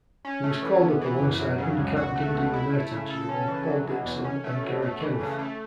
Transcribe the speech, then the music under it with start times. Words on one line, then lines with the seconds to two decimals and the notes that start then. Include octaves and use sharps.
He was called up alongside uncapped Dundee United duo Paul Dixon and Garry Kenneth.
0.25 C#4
0.44 A3
0.62 E3
0.81 B3
1.01 E3
1.20 F#2
1.39 F#3
1.58 C#3
1.78 C#2
1.96 F#4
2.16 A3
2.35 B2
2.53 E4
2.73 A3
2.92 C#3
3.10 A4
3.29 C#4
3.48 E3
3.68 F#3
3.87 B2
4.05 E2
4.24 C#4
4.44 A3
4.63 B2
4.82 A3
5.00 E3
5.21 C#3
5.39 A3